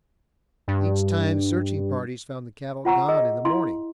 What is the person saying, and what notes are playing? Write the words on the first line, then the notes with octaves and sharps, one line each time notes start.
Each time searching parties found the cattle gone in the morning.
G2
F4 F#5 A#5 C#6
G#4 D#5 E6
E4 F5 C6